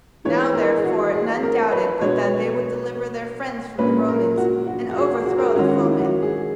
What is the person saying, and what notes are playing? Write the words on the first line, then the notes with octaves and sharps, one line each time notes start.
Now, therefore, none doubted but that they would deliver their friends from the Romans, and overthrow the foemen.
E3 B3 C#5
A#4
G#4
F#4
G#4
A#4
B4
B2 G#3 B3 C#5
A#2 A#3 C#4 B4
A#4
F#4
F#4
F#4
G#4
F#4
A#4
G#4
D#3 G#3 C#4 F#4
F#4
E4
F#4
G#4